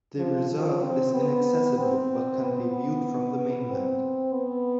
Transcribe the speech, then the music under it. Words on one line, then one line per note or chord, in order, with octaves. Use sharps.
The reserve is inaccessible but can be viewed from the mainland.
F3
F3
C4
B3
C4
B3
C4
B3